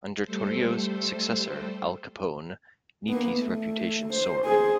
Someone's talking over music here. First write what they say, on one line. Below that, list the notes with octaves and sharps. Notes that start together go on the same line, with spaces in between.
Under Torrio's successor Al Capone, Nitti's reputation soared.
G3 A3 A4 C5
A#3 B3
A3
C5
G#4 C5